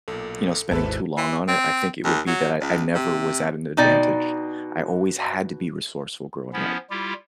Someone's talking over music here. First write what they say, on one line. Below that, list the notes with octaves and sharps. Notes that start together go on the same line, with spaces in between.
you know, spending too long on it, I think it would be that I I never was at an advantage, I always had to be resourceful growing up.
B1 A#2 A4
G#1 D#2 E4 G#4 A4 B4 C5 A5
E3
C4
D#2
F#3
C#2
C3
B2 D#4 D5 G5
F3 B3 C#4 E4
G3 E4 F4 G4